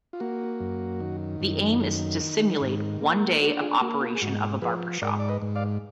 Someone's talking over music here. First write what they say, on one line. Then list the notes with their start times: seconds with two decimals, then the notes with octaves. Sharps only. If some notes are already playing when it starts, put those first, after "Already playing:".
The aim is to simulate one day of operation of a barber shop.
0.13 F4
0.20 A#3 F#4
0.60 F#2
1.00 D#3
1.40 F#2
1.81 D#3
2.20 D#3
2.61 G#2
3.01 A#3
3.41 D4 F#4
3.61 F4 G#4
3.81 A#3 F#4
4.01 F4
4.15 G#4
4.21 G#2 F#4
4.62 F3 G#4 B4
5.02 G#2 A#4 D5
5.19 D5
5.29 B4 D#5
5.42 G#2
5.55 D5 F5